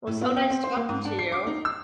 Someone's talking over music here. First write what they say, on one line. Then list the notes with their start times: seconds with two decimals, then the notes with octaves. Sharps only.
Well, so nice talking to you.
0.07 A2
0.21 B3
0.37 G5
0.50 C4
0.64 C5
0.76 A#3
0.89 G#2
1.05 D4
1.19 C7
1.32 D6
1.47 D#4
1.65 E6